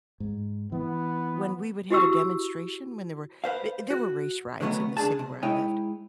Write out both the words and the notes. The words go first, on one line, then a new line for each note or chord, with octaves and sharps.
when we would have a demonstration, when there were b there were race riots in the city where I lived,
G#2
E3 B3
E4 F#4 G4 E6
B4 C5 F5
F#4
D3 D#3 F#3 A3 B3 C#4
D2 D4 G#4 A5
C3
G#3 D#4 E4 C#5 G5 G#5